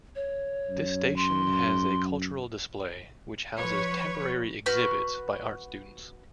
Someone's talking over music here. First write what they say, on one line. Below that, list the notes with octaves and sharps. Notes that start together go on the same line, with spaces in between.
This station has a cultural display, which houses temporary exhibits by art students.
C#5
F#2
C6
F3 B4 C#5
F#4 B4 F6 G6